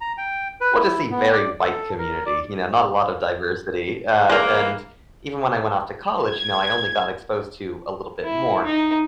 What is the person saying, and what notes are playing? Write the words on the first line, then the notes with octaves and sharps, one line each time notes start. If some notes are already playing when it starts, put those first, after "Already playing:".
we'll just say, "Very white community," you know, not a lot of diversity, uh, and even when I went off to college, you know, I only got exposed to a little bit more,
A#5
G5
B4
E4
B3
D5
A4
A#4
D5
E3 G#3 A#3 A#4
G#6
E4
D#4